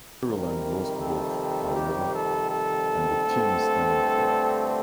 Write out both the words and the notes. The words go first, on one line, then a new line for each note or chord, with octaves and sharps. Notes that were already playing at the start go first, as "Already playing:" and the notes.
Maryland lost both, however, and the team's standing fell.
F2 C3 D#3 G3 A#4
A4
G4
A4
A4
G2 D3 A3 C4